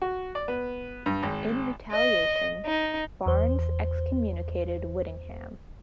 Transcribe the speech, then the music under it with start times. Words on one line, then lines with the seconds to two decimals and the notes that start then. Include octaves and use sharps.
In retaliation, Barnes excommunicated Whittingham.
0.02 F#4
0.35 D5
0.48 B3
1.06 G2
1.23 G#1
1.92 D#5
2.66 D#4
3.26 E2 C5